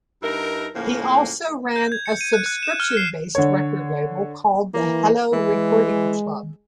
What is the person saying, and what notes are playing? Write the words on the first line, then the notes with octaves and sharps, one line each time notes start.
He also ran a subscription-based record label called the Hello Recording Club.
G2 D#4 E4 A#4
A2 C#3 F3 A#3
G6
G#6
C#7
D#7
F#6
F#6
E7
F6
C7
D3 C#5
E3 A#3
E3 G#3